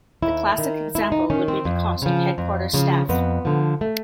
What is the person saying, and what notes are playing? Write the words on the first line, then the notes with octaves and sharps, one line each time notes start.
The classic example would be the cost of headquarters staff.
D#2 E4
D#3
D#2 E4
D#4
D#3 C#4
C4
F2
C#3 F3
F2
C#3 F3
F2 B3
D3 F3
A3